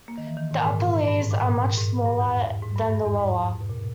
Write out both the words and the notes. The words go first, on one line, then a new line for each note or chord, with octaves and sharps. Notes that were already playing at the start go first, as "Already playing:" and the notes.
The upper leaves are much smaller than the lower.
A#3
D#3
E3
D#3
G#2
A#2
G#2
A#2
G#2
G2
G#2
A#2
G#2
A#2
G#2
G#2
G2
E2
G#2
G2
G2
E2
G#2
B2
A#2